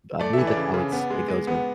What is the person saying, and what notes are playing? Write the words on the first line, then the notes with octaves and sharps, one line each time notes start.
I believe that's how it's it goes or
A3 D5
E3 E5
D5
C#3
C#3
B3
G#3
G#3
B3